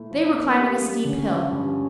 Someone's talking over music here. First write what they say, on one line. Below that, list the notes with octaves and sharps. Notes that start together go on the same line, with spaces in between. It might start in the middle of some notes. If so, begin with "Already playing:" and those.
They were climbing a steep hill.
Already playing: A#2 A3 E4
F3
A#3 C#4
G4
G3
D3 C#4
F3
G2